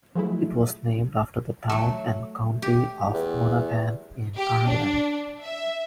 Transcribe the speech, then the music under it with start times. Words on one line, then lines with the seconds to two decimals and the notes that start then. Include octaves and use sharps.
It was named after the town and county of Monaghan in Ireland.
0.15 F3 F#3 G#3 A3 E4
1.69 F#3 A3
2.62 G4
3.13 E2
4.37 G4
4.68 D4
5.42 E5